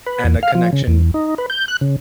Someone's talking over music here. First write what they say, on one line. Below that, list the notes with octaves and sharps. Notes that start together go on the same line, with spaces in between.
and a connection
B4
E2
F5
F3
C#3
E2
D#4
B4
G6
F#6
C#3